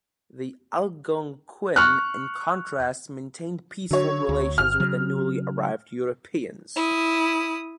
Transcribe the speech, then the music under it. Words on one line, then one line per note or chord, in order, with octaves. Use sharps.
The Algonquin in contrast maintained peaceful relations with the newly arrived Europeans.
C#6 F6 F#6
D3 F#3 C#5
D2
G1 F6
C#3 F#3
E4 D#6